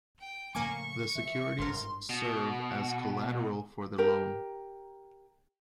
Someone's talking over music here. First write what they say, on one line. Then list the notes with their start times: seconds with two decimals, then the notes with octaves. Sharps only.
The securities serve as collateral for the loan.
0.20 G5
0.55 A2 C#3 F3 A#3 G#5 C#6 D6
1.15 E3 E5
1.59 G1 G#2 A#4 C6
2.09 B2
3.98 G4 A#4